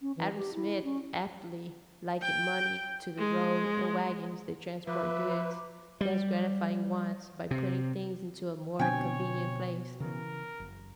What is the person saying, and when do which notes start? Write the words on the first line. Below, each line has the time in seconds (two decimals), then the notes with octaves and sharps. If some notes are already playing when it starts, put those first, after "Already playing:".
Adam Smith aptly likened money to the road and wagons that transport goods, thus gratifying wants by putting things into a more convenient place.
0.01 C#4
0.17 E3
0.37 G4
0.54 E4
0.84 C#4
2.22 G5
3.18 G#3
4.87 F3 B4 E5 A#5 B5 D6
6.01 G3
7.51 C3
8.79 B2 D3 C4 D4 C#5 G5 G#5
10.00 C#3 E3 A#4
10.60 F#1